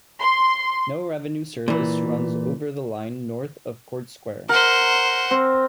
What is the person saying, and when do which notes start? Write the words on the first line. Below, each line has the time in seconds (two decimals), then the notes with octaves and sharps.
No revenue service runs over the line north of Court Square.
0.21 C6
1.68 A#2 E3
4.49 A#4 C5 F#5
5.31 C4